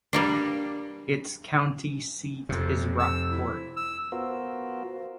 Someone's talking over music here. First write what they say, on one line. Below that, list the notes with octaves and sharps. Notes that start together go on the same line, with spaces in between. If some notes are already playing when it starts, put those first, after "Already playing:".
Its county seat is Rockport.
G3 A#3 D4
F2 C3
E6
E4
E6
B3 F4 F#4 A#4 C5